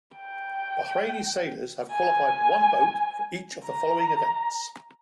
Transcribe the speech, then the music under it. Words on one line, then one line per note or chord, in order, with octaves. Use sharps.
Bahraini sailors have qualified one boat for each of the following events.
G5
G#5
A#5